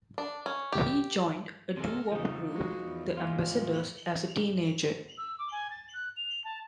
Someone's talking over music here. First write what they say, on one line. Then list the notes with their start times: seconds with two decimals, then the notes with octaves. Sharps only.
He joined a doo-wop group, The Ambassadors, as a teenager.
0.18 D4
0.46 C#4
0.72 G4
1.77 C3 G#3 A4 A#4
2.12 E2 C#3 F3 D#4
2.50 G#3 F#4
2.85 E2
3.17 A#2 G#3 F4
3.49 E2 A2 F3
5.18 E6
5.39 D6
5.52 G#5
5.71 A6
5.94 F#6
6.17 F7
6.44 A5